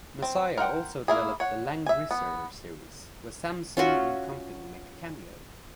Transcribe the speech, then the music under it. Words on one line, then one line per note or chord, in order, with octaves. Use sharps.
Masaya also developed the "Langrisser" series, where Samson and company make a cameo.
C4
A#4 C5 F#5 G5
A#3 E4 G#4
C#5 F#5
E5 G#5
B3
C#4 F4 F#4 E5